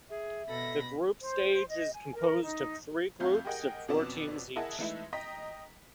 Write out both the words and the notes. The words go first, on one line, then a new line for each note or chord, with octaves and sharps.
The group stage is composed of three groups of four teams each.
G#4 E5
B2 A4 B5 A#6
C5
D#5
G#5
A#4
D#4
F2 A3 F5 G6
G4 G#4 A#4 D#5 F#5 G5
F2 B2 B3 C#4 D5 E7
E4 G#4 A#4 D#5 F#5 A5
E3 G#3 A3 D#4 E4
D#5 G5 A#5 B6